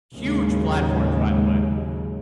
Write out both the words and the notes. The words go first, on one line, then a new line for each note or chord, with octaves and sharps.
Huge platforms, by the way.
D#2 A2 C#3 F#3 G#3